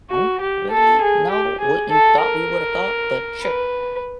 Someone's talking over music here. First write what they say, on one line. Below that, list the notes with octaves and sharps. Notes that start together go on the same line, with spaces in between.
don't really know what you thought we would've thought, but sure,
F#4
G4
A4
G#4
G4
G#4
A4
A#4
B4